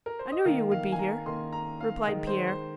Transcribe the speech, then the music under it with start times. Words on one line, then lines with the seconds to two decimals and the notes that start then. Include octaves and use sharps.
"I knew you would be here," replied Pierre.
0.06 A#4
0.19 C5
0.32 D#5
0.45 D#3 A#3 F5
0.71 F5
0.92 G#5
0.99 A#5
1.26 D#3 A#3 C6
1.52 A#5
1.81 F5
2.08 D#3 G#3 D#5
2.27 C5
2.47 C5